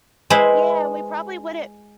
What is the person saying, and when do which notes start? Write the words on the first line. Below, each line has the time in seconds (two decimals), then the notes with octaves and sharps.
Yeah, we probably wouldn't
0.30 G#3 E4 B4 C5